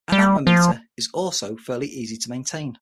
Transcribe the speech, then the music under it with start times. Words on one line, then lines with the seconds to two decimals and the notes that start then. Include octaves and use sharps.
An atmometer is also fairly easy to maintain.
0.12 G3
0.47 F3